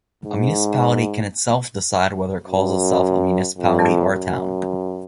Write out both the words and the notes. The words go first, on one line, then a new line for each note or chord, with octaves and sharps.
A municipality can itself decide whether it calls itself a municipality or a town.
G#2
F#2
F2
F#2